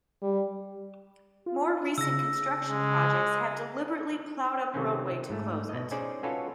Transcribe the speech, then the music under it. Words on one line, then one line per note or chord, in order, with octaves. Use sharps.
More recent construction projects have deliberately plowed up roadway to close it.
G3
F4
C#3 E6 A#6
G#3
C3 D#3 A#3 C4 C#4
G#2 A3
B2 D#5
C#4 D#4 G#4 C5 D5
C#4 F4 F#4 A4 B4 C#5